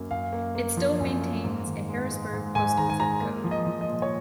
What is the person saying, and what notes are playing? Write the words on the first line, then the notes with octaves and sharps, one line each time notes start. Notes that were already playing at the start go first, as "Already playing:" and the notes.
It still maintains a Harrisburg postal zip code.
Already playing: F#2 A#3
F#2 F5
A#3
A#3
F3
F#2
A#3
G#2
D#3
G#3
G#3
G#2
G#2 G#5
D#3 A#5
G#5
G#3 A#5
A#3
F3
D#5
F3
D#5
A#2
C#5